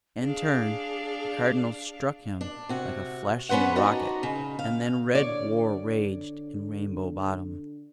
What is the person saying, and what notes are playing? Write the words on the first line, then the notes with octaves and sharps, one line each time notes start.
In turn the Cardinal struck him like a flashing rocket, and then red war waged in Rainbow Bottom.
D4 G#4 F5
D4
C3 F#4
B3 C#4 B4 C5 F#5
D4 D#4 F#4
C#3
F5
D3 C#5 D5